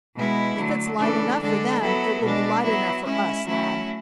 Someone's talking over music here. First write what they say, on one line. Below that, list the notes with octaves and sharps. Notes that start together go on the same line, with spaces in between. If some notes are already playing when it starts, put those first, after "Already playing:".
If it's light enough for them, it will be light enough for us, lad.
B2 G#3 B3 E4
D3 F#3 A3
C#3 E3 A3 D4 A4
D3 G#3 D4 A4
F#3 B3 E4 A4
B2 G#3 D4
F#3 B3 E4
G#3 C#4 E4
F#3 A3 C#4 E4